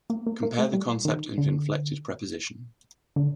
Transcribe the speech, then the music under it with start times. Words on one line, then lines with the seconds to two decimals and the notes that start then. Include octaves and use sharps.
Compare the concept of inflected preposition.
0.10 A#3
0.26 A#3
0.43 A#3
0.59 A3
0.73 G3
1.05 D#3
1.38 D3
3.16 D3